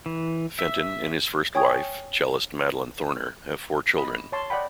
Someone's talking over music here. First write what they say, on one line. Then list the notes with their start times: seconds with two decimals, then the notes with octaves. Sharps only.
Fenton and his first wife, cellist Madeline Thorner, have four children.
0.06 E3
0.59 E5
1.55 C#5 G5 G#5 C#6 D#6 G#6
3.98 D#5 B5
4.32 C#5 A5 C6
4.50 D5 D#5 F#5 G5 B5